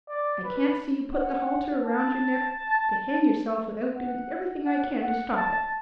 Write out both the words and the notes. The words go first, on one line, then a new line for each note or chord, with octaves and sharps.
I can't see you put the halter around your neck to hang yourself without doing everything I can to stop it.
D5
B4
F#5
A5
F#5
F#5
F#5
A5